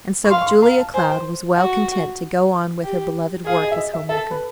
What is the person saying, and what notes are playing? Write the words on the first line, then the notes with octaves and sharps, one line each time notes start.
And so Julia Cloud was well content to go on with her beloved work as home-maker.
C#6
F5 C6
C#6
C6
F5 A#5
A5
C5 G#5
G5
F#4 F#5
G4
G#4 F5
D#5
E5
D#5
E5
A4 E5
B4